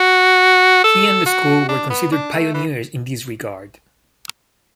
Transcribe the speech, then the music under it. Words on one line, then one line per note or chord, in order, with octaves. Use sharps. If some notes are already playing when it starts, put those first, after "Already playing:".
He and the school were considered pioneers in this regard.
Already playing: F#4
A4
F#4
D4
B3
D4
A3
E3